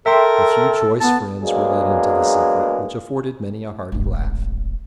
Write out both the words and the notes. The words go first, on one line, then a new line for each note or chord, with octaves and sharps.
A few choice friends were let into the secret, which afforded many a hearty laugh.
A4 A#4 E5 G5 C6
B3 A5
F#3 G#3 A#3 B3 D4 G#4
D1 G#1